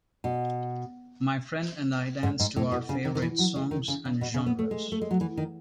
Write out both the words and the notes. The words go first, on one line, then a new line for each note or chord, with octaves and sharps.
My friend and I danced to our favourite songs and genres.
B2
G#2
G#2
A2
B2
C#3
D#3
D#3
E3
F#3
G#3
D#3
C#3
C#3
B2
C#3
B3
A3
G#3
A3
G#3
F#3
E3
D#3